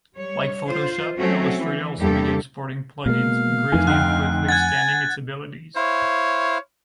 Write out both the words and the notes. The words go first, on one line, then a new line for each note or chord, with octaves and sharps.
Like Photoshop, Illustrator also began supporting plug-ins, greatly and quickly extending its abilities.
G3 C#5
F4 C5
F#3 A3 C4 C#4 F#4
E3
E2 G2 A#3 G4 A4
B2 G#3 A#3 F5
F2 D#3 E3 A3 G#5
D2 D#4 G5 F#6
F#5 G#5 F#6 G#6 A6
E4 C5 C#5 F5